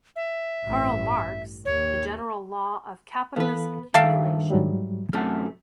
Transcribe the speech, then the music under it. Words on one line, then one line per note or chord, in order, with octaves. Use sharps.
Karl Marx, "The General Law of Capitalist Accumulation".
E5
A1 G2
D#2 C#5
E3 B3 A4 B4 F5
G2 D#3 A4 E5 F5 G5 A5
G#2 F#3 G3
F#2 C3 A3 F#5 A5 F6